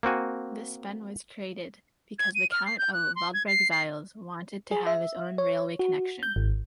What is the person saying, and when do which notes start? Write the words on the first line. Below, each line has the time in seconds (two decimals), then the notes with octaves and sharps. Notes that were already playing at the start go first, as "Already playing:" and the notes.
This bend was created because the Count of Waldburg-Zeil’s wanted to have his own railway connection.
0.03 A#3 C4 F#4 G#5
2.19 G#6
2.35 D#7
2.52 F6
2.66 C7
2.78 G6
2.93 F#6
3.16 C6
3.34 G#6
3.47 C7
3.71 C7
4.71 G#4
4.87 E5
5.38 C#5
5.79 F#4
6.23 G6
6.36 G#1